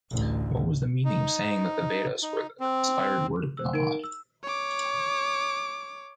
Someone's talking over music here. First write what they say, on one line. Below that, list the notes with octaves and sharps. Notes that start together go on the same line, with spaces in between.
What was the meaning of saying that the Vedas were the inspired word of God?
A1 D2
D#4
D#4
C4
C5 E6
D#4 A#4 D7
E6
C#5 D6